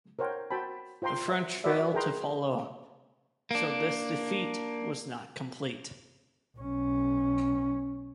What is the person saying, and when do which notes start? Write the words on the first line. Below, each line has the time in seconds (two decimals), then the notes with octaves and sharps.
The French failed to follow up, so this defeat was not complete.
0.19 A#4 C5 C#5 F#5 G5
0.51 F#4 C5 G5 A5 B5
1.02 F4 C5 G5 A#5 C6
1.28 C5 E5
1.64 F#4 A#4 B4 D5 E5
1.94 G#4 A#4 B4 G5 A#5 C6
3.51 A#3 D4
6.58 B1 C#4